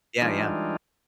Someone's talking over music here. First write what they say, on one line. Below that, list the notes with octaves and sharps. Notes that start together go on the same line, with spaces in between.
Yeah, yeah.
E3 G3 G#3 D4 D#4 F4